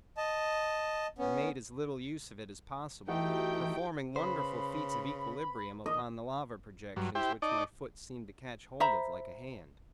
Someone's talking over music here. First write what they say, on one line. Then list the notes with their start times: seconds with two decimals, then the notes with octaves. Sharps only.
I made as little use of it as possible, performing wonderful feats of equilibrium upon the lava projections which my foot seemed to catch hold of like a hand.
0.17 D#5 A5
1.18 B3 C#4
3.08 E3 A3 D#4 E4 F#4 G4 G5
4.16 C#3 B4 C5 B5
5.86 D#3 D#5
6.96 G2 F#3
7.15 E4 G4 C5 G5
7.42 D#4 D5 D#5 A5 D6
8.80 C5 E5 A#5 B5